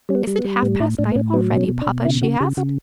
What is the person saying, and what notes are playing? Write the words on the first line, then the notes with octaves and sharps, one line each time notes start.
"Is it half-past nine already, papa?" she asked.
G3 C#4
B3
G3
B3
G3
A2 B3
A2 E4
A2 D4
B3
A2 C#4
F#3 B3
B2
C#4
B2
D4
B2
C#3 E4
C#3 F#4
C#3 G4
C#3 F#4